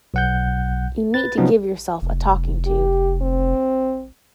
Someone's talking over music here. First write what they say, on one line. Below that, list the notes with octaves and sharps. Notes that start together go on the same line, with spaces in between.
You need to give yourself a talking to.
B1 F#5 G6
B4 A6
C3 F3 F#3 B3 C#4 D#4
F1
G4
C4